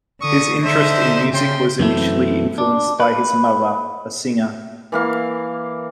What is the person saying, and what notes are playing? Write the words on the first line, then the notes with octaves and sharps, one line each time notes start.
His interest in music was initially influenced by his mother, a singer.
D3 C#6 D#6
D3 D#4 C5 E5
C#3 G5 C6
F#2 E3 A3 C4
D4
B4
E3 A#3 F5